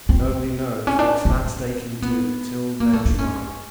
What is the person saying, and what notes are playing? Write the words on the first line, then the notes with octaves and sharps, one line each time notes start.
"Nobody knows what that they can do till they're tried."
C4
C#4
D4
C4
B3
A#3
A3
D4
C#4